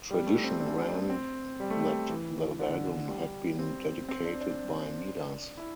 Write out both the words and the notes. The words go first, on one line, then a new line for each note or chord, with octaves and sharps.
Tradition ran that the wagon had been dedicated by Midas.
G3
A3
C4
D4
C4
G3
A3
G3
E3
D3
G3
C4
C4
D4
D4
E4